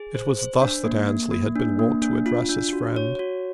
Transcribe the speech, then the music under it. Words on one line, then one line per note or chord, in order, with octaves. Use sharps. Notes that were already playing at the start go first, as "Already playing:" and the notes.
It was thus that Annesley had been wont to address his friend.
Already playing: G#4
C5
C5
D4
A#3
A#3
A#3
D4
A#3
D4
F4
D4
F#4
C#5
F#4